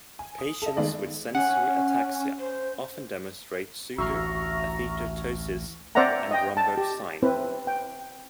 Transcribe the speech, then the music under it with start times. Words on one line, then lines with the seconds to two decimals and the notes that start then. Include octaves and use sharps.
Patients with sensory ataxia often demonstrate pseudoathetosis and Romberg's sign.
0.19 G#5
0.38 D#6
0.62 A4 D#5
0.77 D#3 G#3 A3 B3 G#4 D5
1.35 C#4 F#5 G#5
2.39 C5
3.98 A1 D2 F#4 E5 A#5 C#6 F6
5.95 C4 C5 D5 E5 F#5 A#5
6.31 D#5 G5
6.57 A5
6.77 G4
7.23 C4 E4 B4
7.67 G5